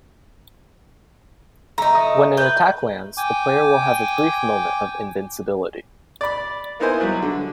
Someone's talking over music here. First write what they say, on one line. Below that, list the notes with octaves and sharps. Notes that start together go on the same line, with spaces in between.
When an attack lands, the player will have a brief moment of invincibility.
A3 D#4 A#5
D#5
B4 G6
G5 G#5 D6
D5 B5
A#3 B3 D#4 E4 C5 G#5
F#3 G3
D3